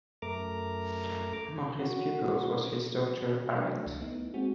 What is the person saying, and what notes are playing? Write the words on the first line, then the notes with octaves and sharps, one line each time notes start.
Among his pupils was his daughter Arete.
F#2 A3 A#4 A#5 D6
F#4
E3 F#3 A3 D4 A#4
C#2
A3 B3 D#4 E4
G#3 A#3 C4 F#4 G#4